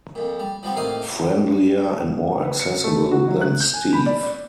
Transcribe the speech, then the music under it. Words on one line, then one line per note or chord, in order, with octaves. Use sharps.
Friendlier and more accessible than Steve.
F2 A#2
G3
F3 G3 B3 C4
A2 C3 A#3 D#4 F5 D#6
B4
C#7
A3
F#4
F#3
F#6
G6
G#5
B5
D5
D5